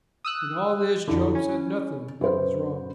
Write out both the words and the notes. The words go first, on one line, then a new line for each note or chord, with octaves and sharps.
In all this Job said nothing that was wrong.
D#6 E6 F#6
F2 D3 E4
C#4
F#2 B4 C5